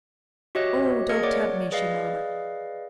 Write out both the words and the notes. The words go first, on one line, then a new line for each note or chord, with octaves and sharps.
"Oh, don't tempt me!" she murmured.
F#4 G4 C#5 D#5 E5 F#6
A#3 G#4 A#4 D#5 G#6 C#7
C#5 D5 F#5 D6
G#4 B4 D5 D#5 F5